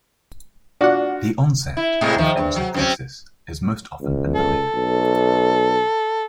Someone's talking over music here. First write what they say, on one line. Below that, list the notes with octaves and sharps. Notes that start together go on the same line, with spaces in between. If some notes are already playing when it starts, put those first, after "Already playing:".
The onset of encopresis is most often benign.
D4 F4 F#4 D5 F#5
E4
A2 C3 G#3
D#3 F3
G2
F#3
F#2 C4 C#4
C#2
A4
B1